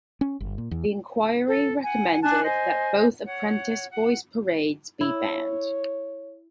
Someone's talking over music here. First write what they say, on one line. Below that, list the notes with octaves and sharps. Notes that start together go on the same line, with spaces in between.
The inquiry recommended that both Apprentice Boys parades be banned.
C#4
G1
A#2
E2
A4
F#5 G#5
D4 G#5 A5 F#6
C5 D#5 G#5
C#5 F#5
F#5
E4 C#5